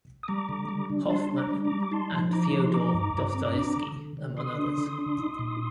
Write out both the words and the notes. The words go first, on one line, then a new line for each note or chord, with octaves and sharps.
Hoffmann, and Fyodor Dostoevsky, among others.
D#6
G3 A#5 D6
D3
G3
D4
G3 A5 C6
D4
A#5 D6
G3
A#5 D6
G3
D6
D#4 A5 C6
F3
D#4 A#5 D6
F3
C6
D#4 A#5 D6
G2
G2
C4
D4
D3
D3
D3
D3 C6 D#6
D4
D3
D4
D#4
A#2